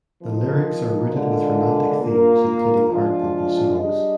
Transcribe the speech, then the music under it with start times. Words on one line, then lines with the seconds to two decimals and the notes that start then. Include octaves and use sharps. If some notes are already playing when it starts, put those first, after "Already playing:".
The lyrics are rooted with romantic themes including heartbroken songs.
0.22 F3 C4 D#4 A#4
1.11 D3 G#3 D4 F4 A#4
2.00 A#3 F4 A#4
2.88 F3 G#3 D4 F4
3.77 G3 D4 G#4 D#5